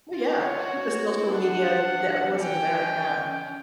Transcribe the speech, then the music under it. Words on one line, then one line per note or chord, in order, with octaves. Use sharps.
Oh, yeah. The social media that wasn't there, yeah.
F4
E4 C#5
F4
F#4
F#4
F#4
E4
D4 F#5
C4
C#4 G5